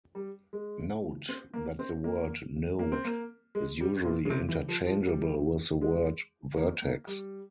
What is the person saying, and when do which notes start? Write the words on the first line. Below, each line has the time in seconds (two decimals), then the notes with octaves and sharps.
Note that the word "node" is usually interchangeable with the word "vertex".
0.15 G3
0.53 G#3
1.29 C4
1.54 A#3
1.79 C4
2.04 A#3
2.79 A#3
2.92 C4
3.05 A#3
3.55 G#3
3.80 G3
4.05 A#2
4.25 C#3
4.30 C3
4.49 E3
4.69 F3
4.87 F3
5.06 G3
5.81 G#3
6.57 A#3
6.82 A#3
7.07 G3